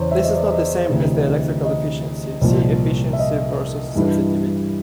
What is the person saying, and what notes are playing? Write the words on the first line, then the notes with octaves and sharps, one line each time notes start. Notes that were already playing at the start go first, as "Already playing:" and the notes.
This is not the same as the electrical efficiency; see Efficiency versus sensitivity.
Already playing: E2 C#3 E3 C5 C#5
E5
D#5
D5
D#5
D2 C3 E3
D#5
C2 A#2 F3
E5
D#5
G2 E3